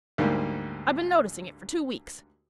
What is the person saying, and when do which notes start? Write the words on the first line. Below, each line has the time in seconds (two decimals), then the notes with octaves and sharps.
I've been noticing it for two weeks.
0.18 D2 G#2 G3 A#3